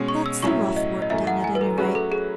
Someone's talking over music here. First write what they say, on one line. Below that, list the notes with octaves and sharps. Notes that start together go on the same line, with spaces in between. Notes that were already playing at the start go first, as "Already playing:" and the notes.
"That's the rough work done, at any rate."
Already playing: B2 G#3 C#4
C#6
E6
A2 F#3 C#4 E4 C#6
D#5
D#5
F#2 E3 A3 E5
F#5
G#5
B4
A4
F#3 A3 C#4 F#4 G#4 B4
A4
G#4